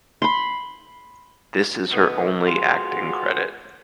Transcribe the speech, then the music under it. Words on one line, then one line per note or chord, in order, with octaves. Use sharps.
This is her only acting credit.
B5 C6
B2 D3 D#3 A3 B3
G#3 B3 F4 F#4